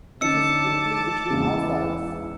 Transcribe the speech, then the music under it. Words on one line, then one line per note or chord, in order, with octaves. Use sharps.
This is strictly between ourselves.
D3 C#4 D#4 A5 D6 E6 C#7
E2 G#2 C#3 E3